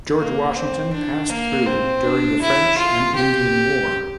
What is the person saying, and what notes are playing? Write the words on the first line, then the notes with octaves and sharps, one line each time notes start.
George Washington passed through during the French and Indian War.
A#3
C4
D4
A#3
C4
D4
E4
F4
G4